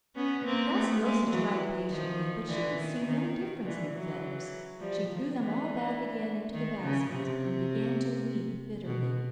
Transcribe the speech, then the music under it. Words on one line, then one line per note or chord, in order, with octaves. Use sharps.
Graciosa tried patiently, but she could see no difference in the feathers; she threw them all back again into the basket, and began to weep bitterly.
B3 C#4
A#3 C4
A3 B3
G#3 A#3
E3 F#3
D#3 F3
D3 E3
D#3
D#3
D3 E3
E3 F#3
F3 G3
D#3 F3
D3 E3
D#3
C#3
C3
B2